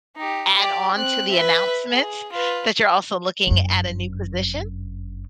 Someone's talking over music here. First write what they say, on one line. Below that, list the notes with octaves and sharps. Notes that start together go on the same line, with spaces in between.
add on to the announcements that you're also looking at a new position?
D#4 G4
G4 D5
C4 F#6
B4 E5
G#4
F4 B4
G1 F#2